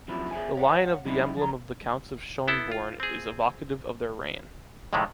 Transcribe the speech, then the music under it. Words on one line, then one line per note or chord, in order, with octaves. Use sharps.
The lion of the emblem of the Counts of Schönborn is evocative of their reign.
F#2 C3 F3 B3 E4
G#4 C5 E5 G#5
C#5 F5 F#5
F#3 G3 C#4 D#4 E4
F3 A#5
B3 E4 A4
F4
C4 G#4
F2 A2 C3 D#3 G#3 A3